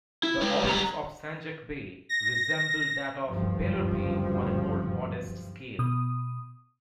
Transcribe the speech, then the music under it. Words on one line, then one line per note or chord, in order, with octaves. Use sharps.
The office of "sanjak-bey" resembled that of the "beylerbey" on a more modest scale.
E4
G#3 B4
G3 A#5
A#6
F#1 D2 G2 F3
B2 D#6